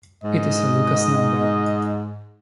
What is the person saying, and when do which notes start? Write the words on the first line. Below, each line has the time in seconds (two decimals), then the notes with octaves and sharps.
It is a Lucas number.
0.24 G#2 D#5